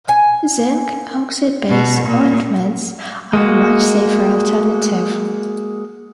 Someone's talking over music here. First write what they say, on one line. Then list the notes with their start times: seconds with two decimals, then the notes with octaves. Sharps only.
Zinc oxide-based ointments are a much safer alternative.
0.09 G#5
1.70 B2
2.07 A#2
3.33 G#3 A#3 F#4